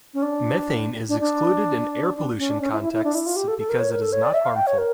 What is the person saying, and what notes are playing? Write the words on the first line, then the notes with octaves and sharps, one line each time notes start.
Methane is excluded in air-pollution contexts because it is not harmful.
C#4
D4
D4
D4
D4
C#4
D4
C#4
E4
E4
E4
D4
E4
F4
G4
A4
A4
A#4
C#5
A#4
A4
C#5
D5
E5
F5
G5
C#5
A#4